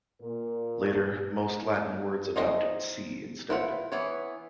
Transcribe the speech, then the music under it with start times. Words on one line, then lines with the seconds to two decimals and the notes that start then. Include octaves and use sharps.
Later, most Latin words adopted C instead.
0.22 A#2 A#4
2.36 D#4 C5 D#5 E5 G5
3.50 E4 F4 F#5
3.92 E3 B3 C#5